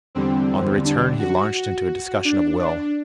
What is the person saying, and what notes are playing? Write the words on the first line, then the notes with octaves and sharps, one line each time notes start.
On the return he launched into a discussion of will.
E2 D3 G3 C4
D4
F#4
F#4
D4
D4